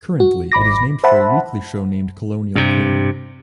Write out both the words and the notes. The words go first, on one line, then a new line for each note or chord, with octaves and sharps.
Currently, it is used for a weekly show named Colonial Corner.
F#4
G#1 B5 D6 A#6
C5 E5 F#5 A5 B5
G2 C3